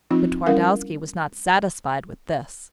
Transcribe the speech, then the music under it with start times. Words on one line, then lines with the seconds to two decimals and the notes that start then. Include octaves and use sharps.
But Twardowski was not satisfied with this.
0.11 F3 C4 D#4 F4
0.46 G3 C#4 E4 A#4 F5